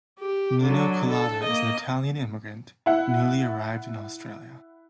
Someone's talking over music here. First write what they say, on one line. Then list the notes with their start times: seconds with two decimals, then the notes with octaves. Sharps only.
Nino Culotta is an Italian immigrant, newly arrived in Australia.
0.19 G4
0.63 D3 F#3
1.11 A4
1.43 A#3 D#5
2.86 E4 F#5